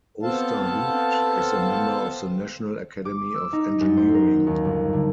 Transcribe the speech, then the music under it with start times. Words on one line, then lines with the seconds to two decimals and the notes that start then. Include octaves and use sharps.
Ousterhout is a member of the National Academy of Engineering.
0.23 B3 C4 A4 C5 F5 A5
3.05 D6
3.35 E6
3.53 D#4
3.81 F#2
3.97 C5
4.14 A#4
4.47 D#2
4.65 G1
4.93 D3